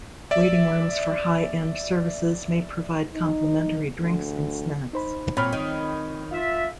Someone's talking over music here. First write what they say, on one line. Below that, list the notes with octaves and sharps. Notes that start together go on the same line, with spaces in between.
Waiting rooms for high-end services may provide complimentary drinks and snacks.
D5 E5
D#4
D2
D#4 C5 B5
A#2 C4 C#5 G5 B5 F6
D#3
F4 E5